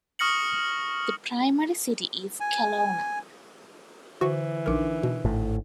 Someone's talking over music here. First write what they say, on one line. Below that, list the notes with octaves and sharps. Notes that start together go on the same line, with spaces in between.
The primary city is Kelowna.
C#6 D#6 F6 A#6 C#7 F#7
G#5
D3 E3 F#4 C#6 D6
A#1 D4 D#4 A#4 F6
B2
G#1 A2